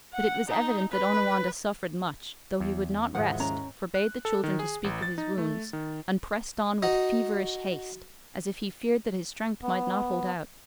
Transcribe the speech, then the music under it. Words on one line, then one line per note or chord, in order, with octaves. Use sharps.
But it was evident that Onawandah suffered much, though he would not rest, forbade the children to speak of his wounds, and pressed on with feverish haste, as if he feared that his strength might not hold out.
F#5
D#4
B4
E2
D#2 G#2 F3 E4 F#5
C#4 C#5 A#5
F#6
A4
D#3
G#4
A1
A6
D#4
A3
D#3
D#4 F#4 D#5
B3